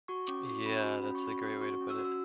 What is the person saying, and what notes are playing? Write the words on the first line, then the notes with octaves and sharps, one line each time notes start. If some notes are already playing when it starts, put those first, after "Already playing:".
Yeah, that's a great way to put it.
F#4 C#6
C#4 D6
F#4 C#6
C#4 B5
F#4
C#4 B5
C#6
F#4 B5
C#4
F#4 C#6
C#4
E6
F#4
E6